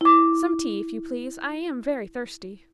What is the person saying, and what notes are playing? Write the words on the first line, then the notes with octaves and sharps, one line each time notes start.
"Some tea, if you please, I am very thirsty."
E4 D6